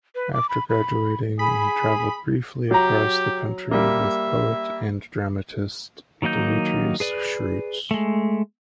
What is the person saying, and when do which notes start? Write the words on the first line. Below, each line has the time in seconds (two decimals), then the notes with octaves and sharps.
After graduating, he travelled briefly across the country with poet and dramatist Demetrius Schrutz.
0.15 B4
0.33 D6
0.49 B5
0.69 B5
1.39 G#4 B5
2.71 F#3 G4 A#5
3.71 G3 A#3 E5
6.22 D#3 F#3 A#3 D#4 G6
7.00 G#4 B4 D5
7.91 G#3 A3